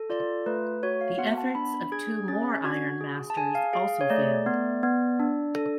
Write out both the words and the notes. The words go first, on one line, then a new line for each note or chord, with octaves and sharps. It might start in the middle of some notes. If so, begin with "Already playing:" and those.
The efforts of two more iron masters also failed.
Already playing: A4
F4 D5
A3 B4
F#4 C#5
F5
B3 F#5
A5
D4 B5
G#4 G#6
C#4 A6
F#4 G#6
G#4
A5
G#4 G#5
F5
G#4 F5
C#5
A3 D5
B3
B3
D4
A4